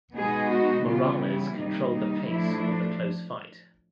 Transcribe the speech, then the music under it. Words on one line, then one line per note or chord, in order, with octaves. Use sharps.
Morales controlled the pace of the close fight.
B2 G#3 B3 D#4 G#4
F#4
C#3 E3 G3 B3 F4
E4
C3 D#3 G3 A#3 D#4
D#4
A2 F3 A3 D4 E4